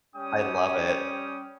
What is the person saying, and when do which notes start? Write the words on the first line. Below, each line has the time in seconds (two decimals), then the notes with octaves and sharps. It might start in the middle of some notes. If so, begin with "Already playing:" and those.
I love it.
0.15 G3 C#4 G5 D#6